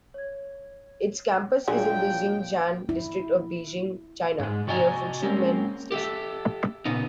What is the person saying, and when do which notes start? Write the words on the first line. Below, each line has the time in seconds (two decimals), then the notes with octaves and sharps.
Its campus is in the Xicheng District of Beijing, China, near Fuxingmen Station.
0.14 C#5 G#6
1.68 A#2 D3 F#3 G#4 F5 G5
2.89 E4
4.40 G#2 G#3
4.67 C3 F#4 D5 D#5 G#5 A#5
5.22 G#3 A#3 C4 C#4
5.92 G4 A4 E5
6.85 A#2 C#3 B3 D#4